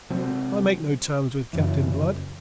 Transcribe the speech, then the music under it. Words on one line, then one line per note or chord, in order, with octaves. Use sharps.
I make no terms with Captain Blood.
C3 F#3 C4
F#2 C#3 E3